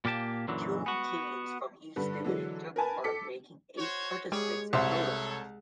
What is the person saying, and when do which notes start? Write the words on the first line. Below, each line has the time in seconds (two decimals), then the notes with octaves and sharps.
Two teams from each division took part, making eight participants in total.
0.05 A#2 A#3 G4 A5
0.48 F#2 A#2 D3 E3 F#3
0.86 B3 F#4
1.96 G2 D3 B4
2.24 D3 E3 F#3 G#3
2.76 A#4 B4 G#5 A5
3.04 A4 D6 B6 C#7
3.78 F#4 C5 C#5
4.32 G3 G#3 B3 G#4 C#5
4.73 C2 F#4 A4 C5 C#5 E5